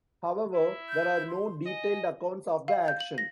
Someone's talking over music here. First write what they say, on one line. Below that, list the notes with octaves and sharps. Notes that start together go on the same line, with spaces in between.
However, there are no detailed accounts of the action.
E4
G6
C6
D#5 G#5
F5
G6
F#7
A#6